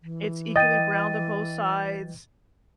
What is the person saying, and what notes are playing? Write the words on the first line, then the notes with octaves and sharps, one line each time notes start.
it's equally browned on both sides
E3
D#5 G5 A6 D#7